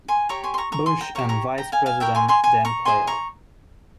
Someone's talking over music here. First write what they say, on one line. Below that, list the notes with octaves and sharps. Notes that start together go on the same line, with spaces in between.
Bush and Vice President Dan Quayle.
G#5 C6
G4 C#5 A#5 C#6
G#5 C6
C6
A#5 C#6
A#5 C#6
G#5 C6
G5 A#5
G4 C#5 A#5 C#6
A#5 C#6
G5 A#5
F5 G#5
F5 G#5
E4 A#4 C#5 E5 G5
G#5 C6
G#5 C6
G#5 C6
A#5 C#6
E4 G#4 C5 G#5 C6
A#5 C#6